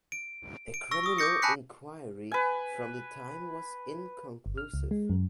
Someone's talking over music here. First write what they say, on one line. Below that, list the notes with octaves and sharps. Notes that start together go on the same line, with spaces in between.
A criminal inquiry from the time was inconclusive.
D7
D7
C#6 E6 A#6
C#6 D#6
D6 D#6 G6 A#6 C#7
G#5 A5 B5 F#6 B6 C#7
B4 G#5
G1
F6
C#2
G#3
F#2